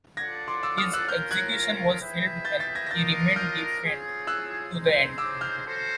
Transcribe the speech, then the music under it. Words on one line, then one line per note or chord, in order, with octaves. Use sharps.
His execution was filmed, and he remained defiant to the end.
D4 F4 A4 D5 F#5 G#6 A#6
C6 D6
D6 E6
D#6 F6
E6 F#6
C#4 F4 A#4 F6 G6
F#6 G#6
E4 G#4 B4 E5 G5
G6 A6
A6 B6
G#6 A#6
A#6
D4 F4 A#4 D#5 G6 A6
F6 G6
C4 F4 G#4 C#5
E6 F#6
C4 D#4 G#4 C5
D6 E6
F6 G6
C#4 F#4 A4 C5